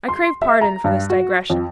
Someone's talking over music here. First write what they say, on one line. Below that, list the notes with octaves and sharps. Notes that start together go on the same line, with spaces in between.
I crave pardon for this digression.
C6
E5
A#5
G2
F#4
F2